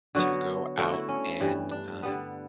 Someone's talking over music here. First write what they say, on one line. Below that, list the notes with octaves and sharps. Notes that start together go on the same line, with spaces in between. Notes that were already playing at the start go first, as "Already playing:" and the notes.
to go out and, um,
D3 F#3 B3 F#4
D3 A3 F#4
E4
C#4
G2 E3 G3
D4
D3 G3 B3